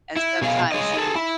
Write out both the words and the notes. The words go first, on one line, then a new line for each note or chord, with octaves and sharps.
and sometimes you
E4
B2 G#4 C#5 F5
G#4 C#5 D#5
G#4 A4
E4